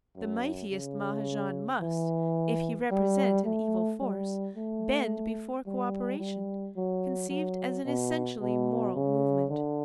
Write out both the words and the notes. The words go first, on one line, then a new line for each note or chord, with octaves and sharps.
The mightiest Mahajan must, if he represent an evil force, bend before co-operation, conceived as an essentially moral movement.
F#2
C#3
E3
G3
A3
G3
A3
G3
G3
F#3
F#3
B2
B2
C#3
D3